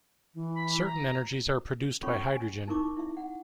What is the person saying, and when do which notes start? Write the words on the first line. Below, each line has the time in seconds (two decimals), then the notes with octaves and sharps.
Certain energies are produced by hydrogen.
0.34 E3
0.55 B5
0.84 A#5
2.03 C#4 F4 A4 C#5 B5 C#6
2.26 G#5
2.68 D#4 E4 A#4 C#6 D6
2.97 E4 E5
3.17 F#5